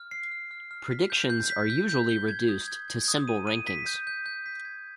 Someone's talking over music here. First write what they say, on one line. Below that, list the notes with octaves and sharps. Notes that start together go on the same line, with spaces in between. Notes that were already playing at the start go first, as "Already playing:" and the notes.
Predictions are usually reduced to symbol rankings.
Already playing: F6
C7
F6
F6
F6
B6
G6
G6
B6
G6
G6
G7
G#6
D#6
G#6
G#6
D#6
D#7
D#7
B6
G6
G6
G6
B6
G#6